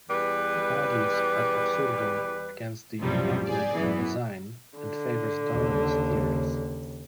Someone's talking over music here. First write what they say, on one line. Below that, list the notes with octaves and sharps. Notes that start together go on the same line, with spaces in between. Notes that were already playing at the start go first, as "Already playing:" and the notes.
He argues "ad absurdum" against the "argument from design", and favors Darwin's theories.
E2 G3 B4
B1 F#2 A2 C3 F3 G3
G4 G#4 D5
F#2 E3 B3
D3
D#2 C#3